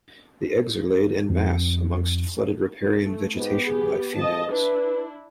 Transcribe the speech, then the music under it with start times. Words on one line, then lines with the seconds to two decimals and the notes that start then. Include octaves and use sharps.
The eggs are laid "en masse" amongst flooded riparian vegetation by females.
1.30 F2
3.02 A3
3.36 G#2 B3 G4
3.66 G#4
4.14 F2 D#5 A5
4.52 D4 E4 B4